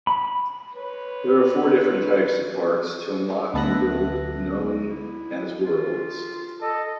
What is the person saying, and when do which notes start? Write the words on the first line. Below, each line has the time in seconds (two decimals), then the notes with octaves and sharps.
There are four different types of parks to unlock and build, known as worlds.
0.07 B5
0.75 B4 C#5
3.54 D2 B3 A4 E5 F#6 A#6
4.87 E4
5.65 F4
6.61 A4 D#5